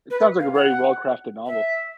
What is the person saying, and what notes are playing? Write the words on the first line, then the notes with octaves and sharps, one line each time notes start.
It sounds like a very well-crafted novel.
B4
F5
F#5
E5